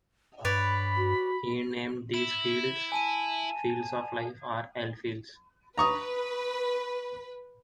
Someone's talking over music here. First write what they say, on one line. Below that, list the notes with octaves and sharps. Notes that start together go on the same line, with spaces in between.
He named these fields "fields of life" or L-Fields.
G2 B4 C#5 D5 B5
F#4
E4 E7
G#5 A5 D#7
B4 A#5 C#6 D#6